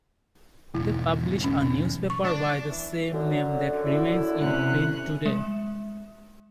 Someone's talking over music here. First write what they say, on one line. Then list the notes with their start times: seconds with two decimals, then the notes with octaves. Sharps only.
They publish a newspaper by the same name that remains in print today.
0.74 B1 E2 E4
1.44 C#4
2.10 C#6
2.25 D4
2.68 E3
3.12 F#2 D3 F#3 C#4
3.86 E4
4.39 C3 C#4 F#6
5.26 G#3